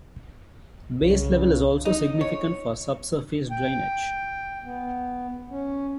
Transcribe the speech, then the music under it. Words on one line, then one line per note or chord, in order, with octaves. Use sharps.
Base level is also significant for subsurface drainage.
C2 C#3
D#4
C#5
G5
B3
C#4